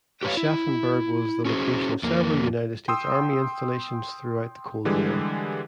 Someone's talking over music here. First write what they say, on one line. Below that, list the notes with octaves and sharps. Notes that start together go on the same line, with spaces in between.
Aschaffenburg was the location of several United States Army installations throughout the Cold War.
G4 B4 C#5 F5
E4
C#4 F#4 G#4 C5
F2 A#3
G5 C6 D#6 E6
D3 E3 G3 G#3